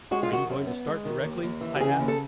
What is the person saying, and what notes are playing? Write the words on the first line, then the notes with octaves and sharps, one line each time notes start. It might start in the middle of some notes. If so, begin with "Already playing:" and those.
"Are you going to start directly?" I asked.
G#3 F#4
F4
D#3 F#4
F#2
B3
G#3
D#3
D#2
D#2
E3
G4
C#3 G#4
D#2
A4